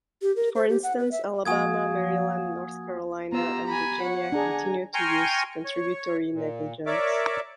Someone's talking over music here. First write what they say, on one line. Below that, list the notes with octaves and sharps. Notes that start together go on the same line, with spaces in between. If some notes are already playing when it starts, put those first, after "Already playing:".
For instance, Alabama, Maryland, North Carolina, and Virginia continue to use contributory negligence.
G4
A#4
C5
G4
F#5
B4
E5
F3 A#3 F#4 F5 G#5 D#6 G#6
B3 F4 G4 A#5 E6
G#5 B5
C#5 F#5
D4 G#4 G#5 A#5
G5 G#5 A#5 C6 C#6 F6
C#5
A#2
A#4 C#5 D5 E5 D6